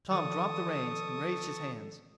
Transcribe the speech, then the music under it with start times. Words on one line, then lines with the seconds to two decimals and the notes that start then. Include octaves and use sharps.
Tom dropped the reins and raised his hands.
0.10 D#3 F3 A4 D5 A5 C#6 D#6